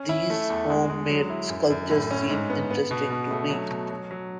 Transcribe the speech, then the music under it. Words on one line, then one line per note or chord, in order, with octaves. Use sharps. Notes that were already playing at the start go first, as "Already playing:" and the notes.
These home-made sculptures seem interesting to me.
Already playing: C#4
E4
A3
E2
G#3
G#3
F#3
E4
F#2
F#2
A2
C#4
G#2
B3
B3
B2
B2
A3
F#3
B2
F#3
F#3